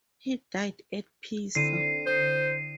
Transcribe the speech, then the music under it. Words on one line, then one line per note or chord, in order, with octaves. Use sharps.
He died at Pisa.
D3 C4 E4 C7 D#7
C5 D#6 G6 A#6